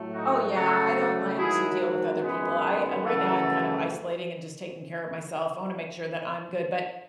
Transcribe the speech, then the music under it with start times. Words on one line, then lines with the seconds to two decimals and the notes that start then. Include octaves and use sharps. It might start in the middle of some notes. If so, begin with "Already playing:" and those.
Oh yeah, I don't like to deal with other people, I, uh right now I'm kind of isolating and just taking care of myself, I wanna make sure that I'm good, but
Already playing: A2 F#3 A3
0.13 D#4 F#4
0.55 C#3 F#3 A3 F#4 A4
1.38 G#2 D#3 F#3 E4 G#4
2.21 F#2 D#3 G#3 B3 G#4 B4
3.05 F#2 C#3 E3 A3 F#4 A4